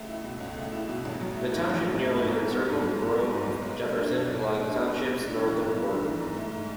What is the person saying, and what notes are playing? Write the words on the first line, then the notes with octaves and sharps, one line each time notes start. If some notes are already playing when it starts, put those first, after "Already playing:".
The township nearly encircles the borough of Jefferson, along the township's northern border.
Already playing: C#2 A3
E4
B2
C#2
A3
E4
B2
A1
F#3
A3
G#2
A1
F#3
A3
G#2
G#2
B3
G#2
F#3
G#2
B3
G#2
F#3
B1
A3
D4
B2
B1
A3
D4
B2
G#2
B3
D4
E3
G#2
B3
D4
E3
G#2
A3
G#2